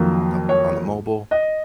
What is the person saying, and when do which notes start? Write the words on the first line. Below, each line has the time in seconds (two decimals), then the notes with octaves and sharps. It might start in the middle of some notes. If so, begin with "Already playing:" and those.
on the on the mobile.
Already playing: F2 D#3 F#3 A#3
0.49 C#5
1.31 D#5